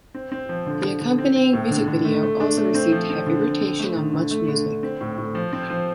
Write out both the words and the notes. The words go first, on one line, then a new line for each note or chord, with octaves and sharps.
The accompanying music video also received heavy rotation on MuchMusic.
C4
C4
F3
D3
D3
D3
C4
C4
A2
D3
D3
A3
A3
D4
A3
C4
F3
C4
D3
C4
C4
A3
D3
D3
A3
D3
D3
C4
A2
A2
F3
C4
F3